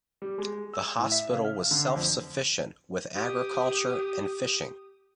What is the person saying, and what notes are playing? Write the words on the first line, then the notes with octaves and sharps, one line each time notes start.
The hospital was self-sufficient with agriculture, and fishing.
G3
G#3
E6
A2
E5
C#3
F6
D3
F2
G4 D#6